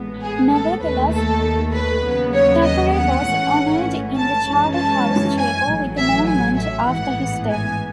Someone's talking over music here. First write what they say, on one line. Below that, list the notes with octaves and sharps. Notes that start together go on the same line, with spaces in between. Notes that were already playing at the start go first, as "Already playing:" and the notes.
Nevertheless, Thackeray was honoured in the Charterhouse Chapel with a monument after his death.
Already playing: A1 A2 G#3 B3
G#4
A4
D#2 D#3 A3 B4
A4
B4
D#2 C#3 F#3 B3
C#5
D#5
F#5
A1 G#2 E3 A3 C#4
A5
F#2 E3 G#3 C#4
A5
G#5
A1 A2 F#3
E5
G#5
E5
A1 G#2 E3 B3 F#5
G#5